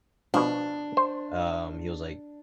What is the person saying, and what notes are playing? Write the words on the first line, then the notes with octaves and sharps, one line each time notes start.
um, he was, like
B2 F3 D4
C5